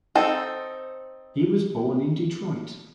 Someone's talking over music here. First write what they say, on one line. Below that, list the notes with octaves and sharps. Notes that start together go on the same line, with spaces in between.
He was born in Detroit.
C4 D#4 A4